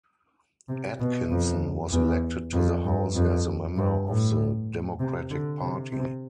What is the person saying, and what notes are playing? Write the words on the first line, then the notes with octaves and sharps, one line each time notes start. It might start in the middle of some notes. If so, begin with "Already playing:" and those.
Atkinson was elected to the House as a member of the Democratic Party.
C3
B2
F2
E2
F2
G2
F2
G2
A2
C3
D3
C3
C3